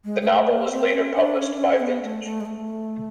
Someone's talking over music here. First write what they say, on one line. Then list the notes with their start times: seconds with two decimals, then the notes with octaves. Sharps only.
The novel was later published by Vintage.
0.05 G#3
0.22 G#3
0.26 A3
0.48 A#3
0.71 C4
0.92 C#4
1.14 D4
1.36 C#4
1.54 D4
1.58 C#4
1.80 B3
2.02 A3
2.24 A3
2.41 G#3
2.46 A3